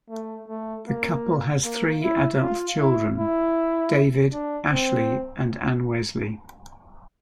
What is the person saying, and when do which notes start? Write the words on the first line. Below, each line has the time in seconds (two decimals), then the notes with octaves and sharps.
The couple has three adult children: David, Ashleigh, and Anne-Wesley.
0.10 A3
0.48 A3
0.87 A#3
1.64 A#3
2.02 E4
2.40 F4
2.79 E4
3.18 E4
4.33 D4
4.71 C4